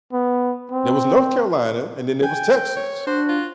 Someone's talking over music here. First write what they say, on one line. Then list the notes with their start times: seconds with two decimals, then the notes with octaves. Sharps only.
There was North Carolina, and then there was Texas.
0.13 B3
0.72 C4
2.23 G5 G#5
2.77 C#5
3.07 D4 F#4 C5
3.29 F4